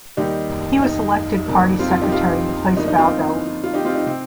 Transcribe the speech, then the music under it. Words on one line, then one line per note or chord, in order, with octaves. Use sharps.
He was elected party secretary in place of Al-Daud.
D#2 D#3 G3 D#4 G4
D#4
F2 C3 D#3 G3 A#3
C4 F4
C4 F4
D#4 G4
C4 F4
G1 G2 F3 A#3 D#4
D#4
C4 F4
F4
D#4 G4
C4 F4
D#4
C3 C4